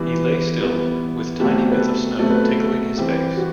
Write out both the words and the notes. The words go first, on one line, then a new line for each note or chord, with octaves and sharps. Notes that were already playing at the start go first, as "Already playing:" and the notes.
He lay still, with tiny bits of snow tickling his face.
Already playing: E3 G3 B3
E3 G3 B3
B2 F#3 A3 C4 G4
B4
A4
B2 F#3 A3 C4 A4
B4
A4
A4
E3 G3 C4 G4
F#4